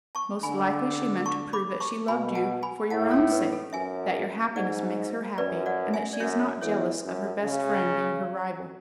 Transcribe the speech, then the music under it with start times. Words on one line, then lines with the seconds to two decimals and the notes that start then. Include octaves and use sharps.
Most likely she meant to prove that she loved you for your own sake, that your happiness makes her happy, and that she is not jealous of her best friend being her rival.
0.15 A5 C#6
0.43 D3 G#5 B5
1.26 A5 C#6
1.53 B5 D6
1.80 A5 C#6
2.08 B2 G#5 B5
2.35 F#5 A5
2.63 G#5 B5
2.90 A2 F#5 A5
3.11 A4 C#5
3.32 B4
3.52 A4
3.73 F#2 E5 G#5
4.56 G#2 D5 F#5
5.38 F#2 B4 D5
5.66 D5 F#5
5.94 E5 G#5
6.13 D5
6.20 F#2 C#5 E5
6.62 E2 A4 C#5
7.03 F#2
7.45 C#3